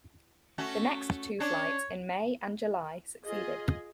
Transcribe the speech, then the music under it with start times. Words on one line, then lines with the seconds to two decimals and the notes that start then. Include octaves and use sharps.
The next two flights in May and July succeeded.
0.58 A3 C#4 F#4
1.40 C#4 D4 C#5
3.24 F4 G#4 D#5